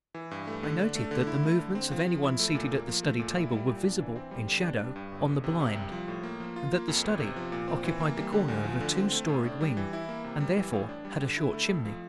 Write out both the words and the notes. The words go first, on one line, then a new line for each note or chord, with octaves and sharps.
I noted that the movements of anyone seated at the study table were visible, in shadow, on the blind, and that the study occupied the corner of a two-storied wing and, therefore, had a short chimney.
E3
G2
A3
D3
D4
A3
D3
E4
A3
D3
C4
F3
F3
E4
A3
A#2
A#3
F3
A3
A#2
E4
G3
A#2
D4
E3
C4
G3
D3
D4
G3
G2
G1
D3
C3
C2
G3
F3
A2
A#3
F3
F4
A#3
F2
G1
C3
F3
A#2
C4
E3
A#3
G3
D3
D2
F3
D3
C4
A3
A2
D4
G3
E3
E4
A#3
C3
G3
E3
A2
D4
G3
D3
E4
A3
F2
F3